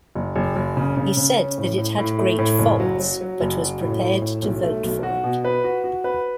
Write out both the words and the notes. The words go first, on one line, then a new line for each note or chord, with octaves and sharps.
He said that it had great faults but was prepared to vote for it.
F#1
F#1
F#1
C#3
C#3
C#3
C#4
A2
A2
A2
A3
A2
F#1
F#3
F#3
F#3
F#1
F#3
A2
A2
A2
B1
A3
B1
F#4
B2
B4
F#4
F#4
B4